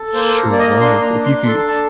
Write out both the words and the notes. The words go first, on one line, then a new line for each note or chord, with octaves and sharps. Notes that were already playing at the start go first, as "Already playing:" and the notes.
Sure was. If you could
Already playing: A4
A#3 C5
C5
A#4
A#3 D5
D#5
D4 C6
A#5
D4
C6
A4 C6
A5